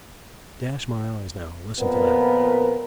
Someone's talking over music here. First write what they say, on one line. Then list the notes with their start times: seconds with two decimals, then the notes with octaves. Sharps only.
'Dash my eyes now; listen to that!
1.79 F2 A#2 B3 A#4